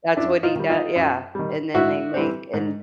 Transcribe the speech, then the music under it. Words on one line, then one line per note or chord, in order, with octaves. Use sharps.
that's what he doe yeah, and then they make and
F#2 D4 E4
D#4 F4
D#3 G3
D#4 F4
F#2
D#3 G3
G#2 E4 F#4
E3 G3 C4
G#2